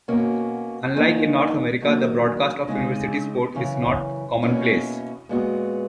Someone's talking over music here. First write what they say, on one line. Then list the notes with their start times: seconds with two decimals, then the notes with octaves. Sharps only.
Unlike in North America, the broadcast of university sport is not commonplace.
0.08 B2 A#3 C#4 F#4
0.94 E2 D#3 A#3 D#4
1.81 D#3 F#3 A#3
2.68 C#3 G#3 D#4
3.55 F#2 C#3 E3
4.42 B2 A#3 C#4 E4
5.29 A#2 G#3 B3 F#4